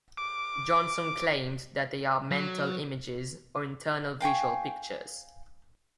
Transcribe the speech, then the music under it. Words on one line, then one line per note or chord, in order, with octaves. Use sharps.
Johnson claimed that they are mental images or internal visual pictures.
D6
F#3
F5 G5 G#5 C#6